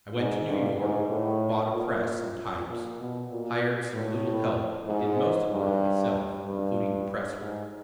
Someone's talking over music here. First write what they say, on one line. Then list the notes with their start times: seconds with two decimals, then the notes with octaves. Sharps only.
I went to New York, bought a press and types, hired some little help, but did most of the work myself, including the press-work.
0.16 G#2
0.48 G2
0.78 G#2
1.10 A2
1.73 A#2
2.68 A#2
2.99 B2
3.30 A#2
3.94 A2
4.88 G#2
5.52 G2
6.45 G2
7.40 G#2